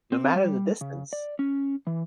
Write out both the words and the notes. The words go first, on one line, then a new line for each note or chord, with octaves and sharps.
no matter the distance,
C4
G3
C#3
D5
C#4
E3